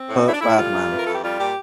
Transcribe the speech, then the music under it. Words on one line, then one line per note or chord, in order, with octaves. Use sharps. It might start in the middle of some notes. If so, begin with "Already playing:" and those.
Per Badman.
Already playing: C4
A2
A2 E4
D4
A2 E4
G3 F4
F2
E3
A#4
F2 A4
G4
G3 F4
A#2 G4